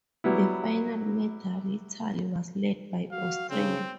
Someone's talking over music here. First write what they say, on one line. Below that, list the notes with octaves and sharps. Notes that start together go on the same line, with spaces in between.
The final medal tally was led by Australia.
F#3 G3 B3 E4
F#4 F5
C#3 C4